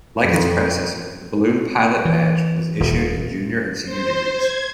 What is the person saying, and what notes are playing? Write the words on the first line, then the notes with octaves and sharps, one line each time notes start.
Like its predecessor, the Balloon Pilot Badge was issued in junior and senior degrees.
F2
E3
D#1
C5
G#6